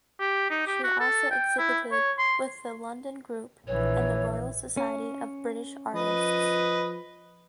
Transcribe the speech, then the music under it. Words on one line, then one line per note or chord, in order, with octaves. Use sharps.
She also exhibited with the London Group and the Royal Society of British Artists.
G4
D#4
G4
F#4
A4
G5
E4
C#5
C6
A#1 E3 C#5
C#4
F3 B4 D#5